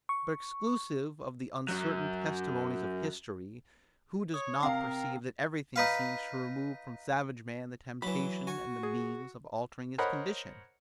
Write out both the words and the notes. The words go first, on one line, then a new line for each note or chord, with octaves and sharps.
But exclusive of the uncertain testimonies of history, who does not perceive that everything seems to remove from savage man the temptation and the means of altering his condition?
C#6
F#2 F#3
C#5 D#6
C3 A#4 F5 G5
D#4 B4 F5
E3 F#3 B5
F#4 G#5
G#4
A#4 C5 C#5 D#5 F#5 B5